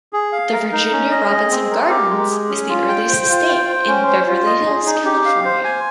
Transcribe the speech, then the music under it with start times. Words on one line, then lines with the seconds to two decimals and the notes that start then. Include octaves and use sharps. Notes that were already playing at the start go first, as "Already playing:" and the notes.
The Virginia Robinson Gardens is the earliest estate in Beverly Hills, California.
0.13 G#4
0.32 F5
0.53 A#4
0.72 D#4
0.92 C#4
1.11 D#5
1.31 G#4
1.50 C4
1.71 A#4
1.90 G4
2.10 G#3
2.30 G#4
2.49 C#4
2.69 F4
2.88 G5
3.09 C5
3.28 F4
3.48 G5
3.68 C5
3.88 C#4
4.07 C5
4.27 F4
4.46 D#5
4.66 G#4
4.86 D#4
5.05 G4
5.25 F5
5.45 C5
5.64 G#5